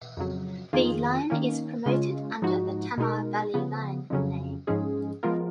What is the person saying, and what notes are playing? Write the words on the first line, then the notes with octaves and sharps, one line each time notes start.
The line is promoted under the "Tamar Valley Line" name.
F2 C#3 F#3
F2 D#3 A#3 F4 G#4
D#3 A#3 C#4
C#3 G#3 C#4 F4
G#2 F3 G#3 D#4 F#4
B2 G#3 D#4 A#4
C#3 F3 B3
F2 C#3 F#3 C#4
G#2 F3 G#3 C#4 G#4
F3 G#3 B3 F4 A#4